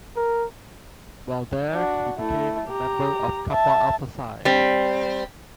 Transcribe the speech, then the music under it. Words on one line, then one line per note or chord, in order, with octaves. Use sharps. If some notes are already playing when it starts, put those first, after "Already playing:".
While there he became a member of Kappa Alpha Psi.
A#4
D4 F#4
A3 E4
G4 A#5
E5 A5
G3 C4